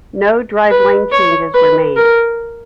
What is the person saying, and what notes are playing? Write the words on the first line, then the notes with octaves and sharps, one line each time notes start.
No driveline changes were made.
B4
C#5
B4
A#4